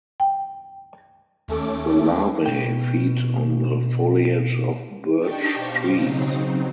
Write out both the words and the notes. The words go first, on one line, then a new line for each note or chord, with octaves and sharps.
The larvae feed on the foliage of birch trees.
G5
D#2 A3 C#4 A4 D6
B2 G5
D4 D#4 G4 G5 A5 C#6
B2 G4 C5 F5 C#6 C#7
C#3 F#3 C4 D#4